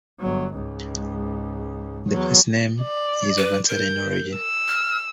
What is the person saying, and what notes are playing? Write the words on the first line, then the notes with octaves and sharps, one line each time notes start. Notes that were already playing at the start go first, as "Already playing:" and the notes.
The placename is of uncertain origin.
G1 F#3
C#2 G#2
E2 F#3
D5
B4
A#4 G6
E6
F6